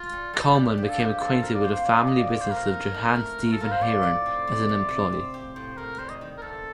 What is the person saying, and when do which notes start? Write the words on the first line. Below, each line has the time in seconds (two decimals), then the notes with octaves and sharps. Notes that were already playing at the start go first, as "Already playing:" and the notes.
Kuhlmann became acquainted with the family business of Johann Stephan Heeren as an employee.
Already playing: F4
0.13 G3
0.33 G3 A4
0.41 G4
0.48 F4
0.55 D4 G4
0.77 F3 G4
0.89 A4
1.00 F3 G4
1.20 C4 A4
1.42 F3 A#4
1.55 D5
1.64 A#3 C5
1.86 C3 D5
2.07 F3 D#5
2.18 D5
2.30 F4 D5
2.41 C5
2.51 A2 A#4
2.74 D#4
2.94 D#4
3.16 A3
3.38 A2
3.52 A4
3.60 F4 A#4
3.71 C5
3.81 F3 D5
4.03 A2
4.26 C4
4.47 C3
4.69 C3
4.91 C3
5.12 C4
5.34 G4
5.55 A2 C5
5.77 A2 A#4
5.99 G3 C5
6.09 D#5
6.21 D#3
6.38 A#4
6.42 C3 A4